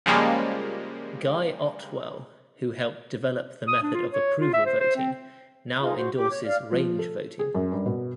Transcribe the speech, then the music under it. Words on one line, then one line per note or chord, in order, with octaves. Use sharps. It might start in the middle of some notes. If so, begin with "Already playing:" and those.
Guy Ottewell, who helped develop the method of approval voting, now endorses range voting.
C#3 F3 G3 G#3 A#3
D#6
D4
F4
C#5
F4
E5
C5
C5
C4
D#4 F4 G#4
F#4 C5
G4 D6
C#5
D5 F5 F6
F3
A4
G#4
F#2
G2
B2